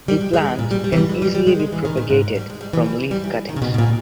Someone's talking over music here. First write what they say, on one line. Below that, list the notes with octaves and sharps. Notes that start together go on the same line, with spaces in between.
The plant can be easily propagated from leaf cuttings.
G3
G#3
G#3
E3
A#2
G3
G3
E3
G3
G#3
G3
G3
G#3
G#3
E3
D#3
A#2
G#2
G3
G#3
G3
E3
G3
G3
E3
D#3
C#3
B2
B2
A#2